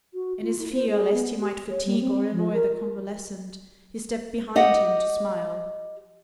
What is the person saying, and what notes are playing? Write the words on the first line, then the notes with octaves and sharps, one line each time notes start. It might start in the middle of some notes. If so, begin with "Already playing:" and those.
In his fear lest he might fatigue or annoy the convalescent, he stepped behind him to smile.
F#4
F4
E4
C5
G#4
B3
G4
C#5
G3
C4
F3
A#4
G4 D#5 F#5